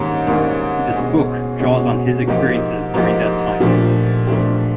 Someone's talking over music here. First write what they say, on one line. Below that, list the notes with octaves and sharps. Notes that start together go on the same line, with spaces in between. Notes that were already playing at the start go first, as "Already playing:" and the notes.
This book draws on his experiences during that time.
Already playing: G#2 D#3 G3 A#3 C#4
G#2 D#3 G3 A#3 C#4
B2 G#3 C#4
B2 G#3 C#4
G#2 F3 A#3 D#4 G4
G#2 F3 A#3 D#4 G4
A#2 F3 A3 D4 G4
A#2 F3 A3 D4 G4